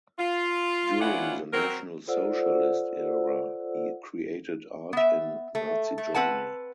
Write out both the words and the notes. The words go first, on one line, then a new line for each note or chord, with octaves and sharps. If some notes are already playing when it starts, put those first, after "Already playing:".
During the National Socialist era he created art in Nazi Germany.
F4
E3 C#4 D4 E4 F4 F#5
F#3 C4 A#4
F4 A4 C5 D5 F#5 E6
B3 E5
A3
A3
C4 B4 F#5 A5